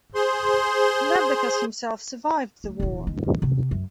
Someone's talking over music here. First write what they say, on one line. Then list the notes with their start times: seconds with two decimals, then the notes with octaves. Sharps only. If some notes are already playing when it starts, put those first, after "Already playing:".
Labdacus himself survived the war.
0.15 G#4 C5 C6
2.64 D2
2.80 D#1 E3
3.07 D#3
3.42 C3
3.71 F#2